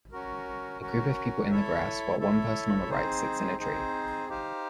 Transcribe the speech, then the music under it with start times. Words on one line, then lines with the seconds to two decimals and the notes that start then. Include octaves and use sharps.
A group of people in the grass while one person on the right sits in a tree.
0.12 C#4 F#4 A#4
0.81 C#4 F#4 A#4
1.51 E4 A4 C#5 E5
2.19 E4 A4 C#5 E5
2.89 C4 D#4 G#4 C5
3.59 C4 D#4 G#4 C5
4.29 D#4 G4 C5 F5